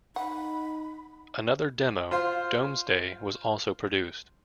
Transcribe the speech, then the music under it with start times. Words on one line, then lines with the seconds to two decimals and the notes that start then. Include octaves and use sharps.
Another demo "Domesday" was also produced.
0.16 D#4 F#5 B5
2.11 F4 C5 F5